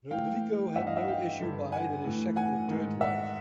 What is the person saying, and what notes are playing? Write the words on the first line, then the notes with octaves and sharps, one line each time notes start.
Rodrigo had no issue by either his second or third wife.
A2 E3 F5 G5
G2 E3 E5 F#5
D#5 F5
E5 F#5
F5 G5
G2 D3
F#5 G#5
A2 E3
F#5 G#5
G#2 D#3
E5 F#5